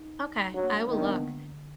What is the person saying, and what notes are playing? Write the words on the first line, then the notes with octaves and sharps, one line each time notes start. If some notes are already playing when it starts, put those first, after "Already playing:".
Okay, I will look.
Already playing: D#4
F#3 D4
A#3
G#3
A#3
D#3 B3
D4
B3
D3